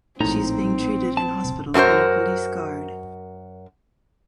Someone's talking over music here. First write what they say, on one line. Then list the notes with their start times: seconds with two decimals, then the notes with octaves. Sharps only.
She is being treated in hospital under police guard.
0.20 A#1 A2 C4 D#4 A#5
1.17 A5
1.74 F#2 B3 F#4 A#4 C5